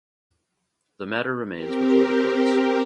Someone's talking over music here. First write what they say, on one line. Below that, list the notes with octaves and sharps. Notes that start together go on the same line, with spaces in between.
The matter remains before the courts.
C4 G4 A#4